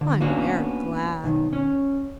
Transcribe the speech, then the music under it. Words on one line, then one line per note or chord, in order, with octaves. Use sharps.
I am very glad.
D3
A#3 B3 C#4 D4 F#4
B1 D#3
C#4